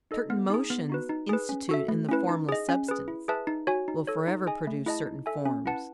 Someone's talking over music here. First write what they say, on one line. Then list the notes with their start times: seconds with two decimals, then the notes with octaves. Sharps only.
Certain motions instituted in the Formless Substance will forever produce certain forms.
0.11 D#4 A4 D#5
0.30 B3
0.50 D#4 G#4
0.70 B3
0.90 D#4 F#4 B4
1.09 D#4
1.29 G#4 B4
1.49 C#4
1.69 F#4 A4 E5
1.88 A3
2.09 C#4 E4 B4
2.29 D#4
2.49 G#4 D#5
2.69 C#4
2.89 G#4 B4
3.08 E4
3.28 G#4 B4 E5 A5
3.47 D#4
3.67 F#4 C#5 G#5
3.88 D#4
4.07 A4 C#5
4.27 D#4
4.47 G#4 D#5 G#5
4.67 A3
4.86 E4 G#4 D#5 A5
5.06 D#4
5.26 A4 E5 G#5
5.45 C#4
5.66 E4 B4 F#5 A5